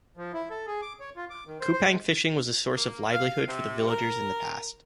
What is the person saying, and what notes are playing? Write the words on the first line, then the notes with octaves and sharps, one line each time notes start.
Kupang fishing was a source of livelihood for the villagers in the past.
F3
E4
A4
G#4
D6
C#5
F4
D6
D#3
C5
C5
G#3
A#3
F5
C3
A#4